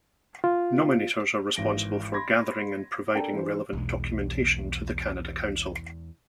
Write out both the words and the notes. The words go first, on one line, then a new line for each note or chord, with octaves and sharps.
Nominators are responsible for gathering and providing relevant documentation to the Canada Council.
F4
G#1 E3 A#6 D7 G7
B5 C6 G#6 A#6
D4 A4 A#4 G5 A5 A#5
E3 C5
B1 E2 G#3